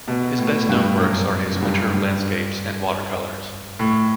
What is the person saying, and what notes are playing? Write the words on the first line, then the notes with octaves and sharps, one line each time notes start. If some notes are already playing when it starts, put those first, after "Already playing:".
His best-known works are his winter landscapes and watercolours.
B2
A2
A2
G2
F#2
F#2
G2
G2
A2